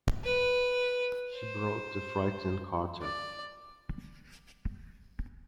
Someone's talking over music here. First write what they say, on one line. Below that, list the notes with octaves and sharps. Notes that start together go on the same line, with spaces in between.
She brought the frightened carter.
B4
C5
D5